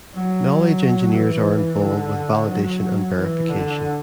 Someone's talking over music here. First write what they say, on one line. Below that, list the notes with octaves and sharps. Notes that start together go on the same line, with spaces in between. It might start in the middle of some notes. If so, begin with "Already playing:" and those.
Knowledge engineers are involved with validation and verification.
F#3
E3
D3
F#3
E3
D3